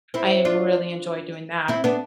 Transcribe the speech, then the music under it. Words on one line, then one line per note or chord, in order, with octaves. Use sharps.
I really enjoy doing that,
C4 E4
D4 F4
C4 E4
B3 D4